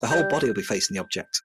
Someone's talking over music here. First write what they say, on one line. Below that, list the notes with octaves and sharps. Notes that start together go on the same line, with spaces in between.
Their whole body will be facing the object.
G3 G6